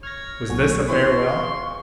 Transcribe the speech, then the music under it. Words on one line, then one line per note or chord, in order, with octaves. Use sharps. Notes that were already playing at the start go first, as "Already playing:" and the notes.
Was this a farewell?
C#5 F6 A#6
B1 A#2 F#4 G#5 C#6
B2 E3 C4 C6 C#6
F4 G#4 F#5